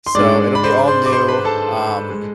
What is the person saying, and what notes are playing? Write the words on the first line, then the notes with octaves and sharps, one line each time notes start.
So, it'll be all new, um
C6
G#2 G#3 D4 D5 D6
B5
C5 C6
C5 C6
D6
C5 C6
B4 B5
A4 A5
G#3